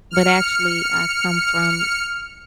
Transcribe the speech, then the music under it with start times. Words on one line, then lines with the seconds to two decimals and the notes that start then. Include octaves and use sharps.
But, actually, I come from
0.11 F6 C#7